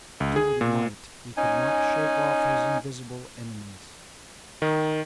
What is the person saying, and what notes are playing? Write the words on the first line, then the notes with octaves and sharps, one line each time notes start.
Do what he might, he could not shake off his invisible enemies.
C#2
G#4
A#2
C#4 D#4 G#5
D#3